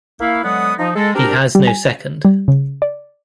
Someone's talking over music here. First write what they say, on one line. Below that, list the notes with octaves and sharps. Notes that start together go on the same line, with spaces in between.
He has no second.
A#3 E4 F5
D3 F#3 G#3 B3 F#5 D#6
F3 D#4
G#3 A4
C4 D4 G4 A#4
G3
G#5
G3
C#3
D5